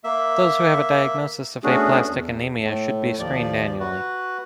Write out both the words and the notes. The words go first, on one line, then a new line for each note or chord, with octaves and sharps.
Those who have a diagnosis of aplastic anemia should be screened annually.
A#3 E5
A3 B3 C#4 D4 F#4 G#4
E2
A2
D#2 F3 D5
F#4 B4